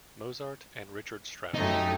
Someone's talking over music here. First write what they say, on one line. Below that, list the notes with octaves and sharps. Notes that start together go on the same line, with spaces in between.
Mozart and Richard Strauss.
F#2 A3 D#4 G4